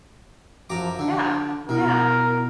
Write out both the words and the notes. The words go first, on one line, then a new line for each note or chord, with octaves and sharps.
Yeah. Yeah.
F#2 F3 A#5 D6
D3 D4
B2 E4 A#4